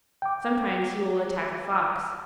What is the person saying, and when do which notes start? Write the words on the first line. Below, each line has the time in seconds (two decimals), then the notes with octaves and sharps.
Sometimes he will attack a Fox.
0.22 G5 D6